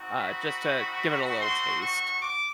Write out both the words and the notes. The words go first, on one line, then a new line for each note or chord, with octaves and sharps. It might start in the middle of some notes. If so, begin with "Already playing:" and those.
uh, just to give it a little taste.
Already playing: C4 D#4 F#4
B5
C6
C#6
D6